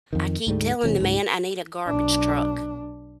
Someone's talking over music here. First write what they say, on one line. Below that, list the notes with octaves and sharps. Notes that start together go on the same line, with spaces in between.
I keep telling the man I need a garbage truck,
F2 D#3
D2 G#2 G3 A3
E1 C3 E3 C#4
C#2 G#2
B1 D4